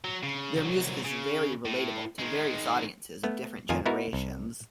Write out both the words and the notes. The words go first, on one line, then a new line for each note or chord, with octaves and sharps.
Their music is very relatable to various audiences of different generations.
F#3
C#3
C2 F#3
C#3
A2
D#3 G#3
A3 B3
F2 D#3 F4 A#4 G#5
B3 D#4 E4 F#4 A#4
C2